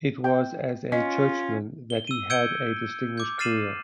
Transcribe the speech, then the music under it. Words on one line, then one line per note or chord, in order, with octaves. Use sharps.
It was as a churchman that he had a distinguished career.
G5
C#4 F4 D#5
G7
E6 D#7
E6 G6 G#6 C#7 D7 G7
D6 G6
F6 A6 C7 D#7 E7 F#7